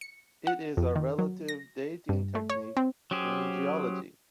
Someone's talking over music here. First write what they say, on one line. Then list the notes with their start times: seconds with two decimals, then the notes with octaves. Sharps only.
It is a relative dating technique in geology.
0.01 C#7
0.47 F#5
0.77 F2
0.96 D#3
1.19 F#3
1.48 A#6
2.09 G2
2.35 A3
2.50 C#5
2.77 C4
3.11 F#3 C#4 G4 G#4 C5